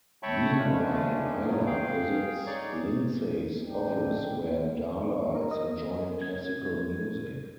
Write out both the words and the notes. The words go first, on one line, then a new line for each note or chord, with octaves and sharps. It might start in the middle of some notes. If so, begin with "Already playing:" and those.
Meanwhile Lilah visits Lindsey's office where Darla is enjoying classical music.
C#5 E5 G5 A5 B5 C#6
C#3 G#3 A3 C#4 D4
E2 G2 C#3 F#3
G#4 F5 G5
D#4 G#4 C#5 D5
A1 G#2 D4 G5
A#4
D#5
G#6